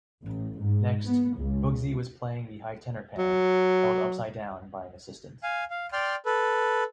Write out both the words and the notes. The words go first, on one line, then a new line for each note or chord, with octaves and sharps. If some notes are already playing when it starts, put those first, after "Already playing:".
Next, Boogsie was playing the high tenor pan held upside down by an assistant.
A1
G#2
B3
C#2
F#3
F5 G#5
F5
D5 G5 C6 F6
A4 B4